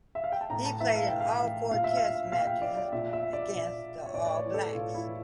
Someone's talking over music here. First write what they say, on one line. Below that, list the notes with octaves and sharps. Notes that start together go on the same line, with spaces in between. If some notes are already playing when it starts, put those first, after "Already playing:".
He played in all four test matches against the All Blacks.
E5
F5
G5
A5
A2 A#5
A5
E3 E5
F5
A2 G5
F5
E3
A#2 F5
E5
F5
A#2 F5
G5
D5
D5
A#2 E5
E5
D5
A#2
C#5
A2 D5
D5
C#5
E3
A4
A2 F4
E4
E3